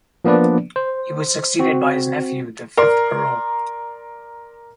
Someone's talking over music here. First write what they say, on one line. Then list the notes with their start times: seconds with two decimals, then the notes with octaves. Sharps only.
He was succeeded by his nephew, the fifth Earl.
0.25 F3 A#3 B3 D4 B4 D5
0.76 C5
1.59 C4 F#4
2.77 A#4 D5 A#5 C6